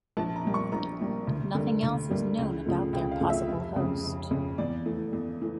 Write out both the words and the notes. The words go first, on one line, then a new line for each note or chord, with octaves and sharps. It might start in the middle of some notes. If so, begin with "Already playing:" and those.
Nothing else is known about their possible host.
A#1 A5
A#5
A#2 G3 A#3
C#6
A#1 A#5
A#2 G3 A#3
D2
D3 G3 A#3
D2
D3 G3 A#3
C#2
C#3 F3 A3
C#2 G5
F5
C#3 F3 A3
E5
F1
F2 C#3
F1
F2 C#3
E2 D5
E3 A3
E2
E3 A3